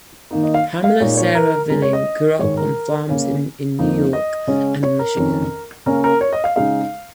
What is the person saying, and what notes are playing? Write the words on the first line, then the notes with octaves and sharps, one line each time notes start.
Pamelia Sarah Vining grew up on farms in New York and Michigan.
D#3 A#3 D#4
D#5
F5
F5
A#2 G#3 D#4 C#5
C#5
A#4
C#3 G#3 C#4 A#4
C#5
D#5
G#2 D#3 G#3 C#5
A#4
C#3 A#3 C#4
F2 F3 A#3 D#4
D#5
C#3 G#3 C#4
C#5
A#4
F2 D#3 C#4
C#3 A#3 C#4 A#4
A#4
C#5
D#5
F5
C#3 G#3 D#4 F5